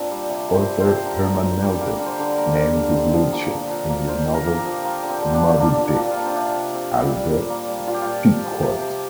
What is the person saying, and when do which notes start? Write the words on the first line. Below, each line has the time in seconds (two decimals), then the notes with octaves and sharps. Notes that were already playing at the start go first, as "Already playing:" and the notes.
Author Herman Melville named his lead ship in his novel "Moby-Dick" as the "Pequod".
Already playing: A#2 C4 D4
0.11 G3
0.29 C3
0.48 C3
0.54 C5
0.67 C4
0.80 C5
0.86 F3
0.96 C5
1.05 D3 A#4
1.24 D3
1.43 C4
1.62 G3
1.81 A#3 A#4
1.99 D3
2.06 C5
2.19 D3
2.31 A#4
2.37 A#3
2.57 D3
2.76 D3
2.94 C4
3.14 F3
3.32 A#3
3.51 A#2
3.70 A#2
3.89 A#3
4.08 A#2 C5
4.27 A#2
4.34 A#4
4.46 A#3
4.59 G4
4.65 F3
4.84 A#3 F4
5.03 D3
5.09 C4
5.22 D3
5.34 D4
5.40 A#3
5.60 A#3 D4
5.79 A#2
5.85 D4
5.97 A#2
6.10 F4
6.16 A#3
6.25 C4
6.35 C3 D4
6.55 C3
6.74 C4
6.93 G3
7.11 A#2
7.30 A#2
7.50 A#3
7.68 G3
7.87 A#2 F4
7.94 G4
8.02 A#2 F4
8.25 C4
8.44 F3
8.62 C3 G4
8.82 C3